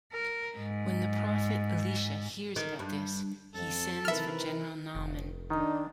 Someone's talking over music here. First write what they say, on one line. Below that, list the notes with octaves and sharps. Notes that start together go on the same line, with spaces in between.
When the prophet Elisha hears about this, he sends for general Naaman.
A#4
G#2
D#3
G2
F2 A4
C3 D#3 E3 A#4 B4 E5 F6
F1
D#3 D4 D#4